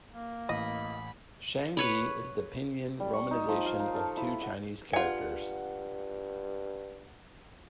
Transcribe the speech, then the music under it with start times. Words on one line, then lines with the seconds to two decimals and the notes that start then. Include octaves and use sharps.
"Shang Di" is the pinyin romanization of two Chinese characters.
0.11 A#3
0.49 A1 D#5 B5
1.77 B4 C#5 B5
3.00 G3
3.14 C#6
3.31 D#4
3.48 F3
3.66 F5
3.80 A#4
3.95 A4
4.17 E4
4.41 F#5
4.93 G2 F4 F#5 G#5 C#7